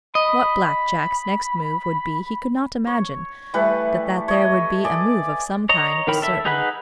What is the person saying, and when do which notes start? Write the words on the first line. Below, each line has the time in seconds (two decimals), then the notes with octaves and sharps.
What Black Jack's next move would be he could not imagine, but that there would be a move of some kind was certain.
0.15 D#5 B5
2.87 C#5
3.54 E3 G3 A3 B4
4.28 C#5 D#5 B5
4.84 G#4 D5
5.69 C#5 D#5 A#5
6.07 D#3 E3 A#4 G5 B5
6.22 A4 E5
6.45 D#4 G#4 B4 F#5 B5